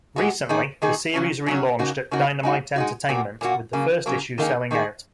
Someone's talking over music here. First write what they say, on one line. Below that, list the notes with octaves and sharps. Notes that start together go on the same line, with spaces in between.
Recently, the series relaunched at Dynamite Entertainment with the first issue selling out.
A#2 G#3 F#4
D#3 A#3 D#4 G#4
D#3 A#3 D#4 G#4
C#3 F#3 C#4
C#3 F#3 C#4
C#3 A#3 D#4 F#4
C#3 A#3 D#4 F#4
G#3 D#4 F#4
G#3 D#4 F#4
A#2 A#3 F#4
A#2 A#3 F#4
C#3 F#3 A#3
C#3 F#3 A#3
D#3 A#3 D#4 G#4
D#3 A#3 D#4 G#4